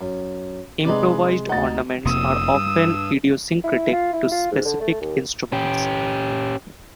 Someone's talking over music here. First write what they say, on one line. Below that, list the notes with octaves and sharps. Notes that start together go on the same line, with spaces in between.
Improvised ornaments are often idiosyncratic to specific instruments.
F#2
C3 G#3 D#4 B4 D5
D2 D#4 F#5 A6
F1 C3 A#3 D#6 E6
G2
E4
F4
E4
F4
G#2
D3
A3
D#2
C#4 G4